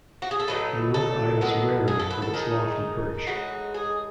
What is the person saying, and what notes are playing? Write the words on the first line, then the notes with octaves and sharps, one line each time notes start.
The rook eyed us warily from its lofty perch.
F#4
G#4
A4
A2 F#3 A3 D#4 B4
A4
D#3 F#3 B3
G#4
A4
B4
A4
D#3 A3 D#4 G#4
A2 E3 G#3 D#4 F#4
G#4